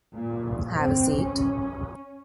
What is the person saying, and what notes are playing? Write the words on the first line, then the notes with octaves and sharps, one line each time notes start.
Have a seat.
A#2
C4
C#4